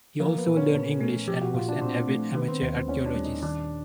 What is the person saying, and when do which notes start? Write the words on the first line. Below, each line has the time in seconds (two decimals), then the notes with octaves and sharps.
He also learned English and was an avid amateur archaeologist.
0.20 F3 A#3
0.38 B3
0.47 A#2
0.57 C#4
0.75 A#2
1.01 A3
1.28 F3 G4
1.42 F#4
1.54 A#2 F4
1.68 D4
1.81 A#2 C4
2.08 A3
2.35 D#3 B3
2.48 C4
2.61 D#2 C4
2.76 C4
2.88 D#2 C#4
3.06 D4
3.15 G3
3.24 D#4
3.43 D#3 D4